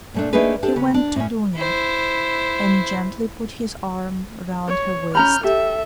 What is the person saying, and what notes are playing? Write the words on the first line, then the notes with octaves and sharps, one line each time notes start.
He went to Dounia and gently put his arm round her waist.
A#2 A3 D4
A3 A#3 D4 D#4 G#4 B4
D4 G4 A4
C#3 B3
D4
A2 C#4
E4 C5
C#5
C#4 A#5 B5 F6 G6
G4 A4 E5